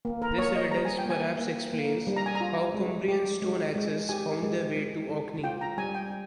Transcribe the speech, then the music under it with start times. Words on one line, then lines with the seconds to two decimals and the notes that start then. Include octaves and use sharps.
This evidence perhaps explains how Cumbrian stone axes found their way to Orkney.
0.05 A#3
0.22 A#4
0.38 A#3 C#5
0.55 D#5
0.71 G3 A#5
0.85 G#5
0.98 G5
1.06 A#3 G#5
1.39 A#3
1.73 A#3
2.07 G3
2.16 A#5
2.26 G#5
2.35 A#5
2.41 F4
2.74 G#3
3.08 G4
3.42 G#3
3.76 G#3
4.09 G4 G#5
4.43 G#3
4.77 G#3
5.10 G#3
5.44 F4 G5
5.61 A#5
5.78 G3 G#5
5.94 G5